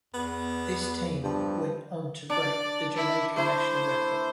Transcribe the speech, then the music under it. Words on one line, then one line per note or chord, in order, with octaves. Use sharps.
This team went on to break the Jamaican National Record.
E2 B3
G2 F3
D4 D5
E4
A3 E4 C5